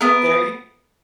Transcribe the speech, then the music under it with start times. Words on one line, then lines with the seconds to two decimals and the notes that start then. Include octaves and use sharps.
There you
0.01 B3 A#4